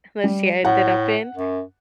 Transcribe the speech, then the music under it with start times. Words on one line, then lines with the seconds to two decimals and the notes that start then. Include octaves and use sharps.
that she ended up in
0.24 G3
0.65 A2 F#5
1.35 F#2